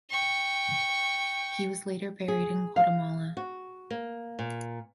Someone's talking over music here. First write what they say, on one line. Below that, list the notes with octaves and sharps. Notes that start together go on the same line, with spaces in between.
He was later buried in Guatemala.
G5 C#6
G#4
F5
F#4
A#3
A#2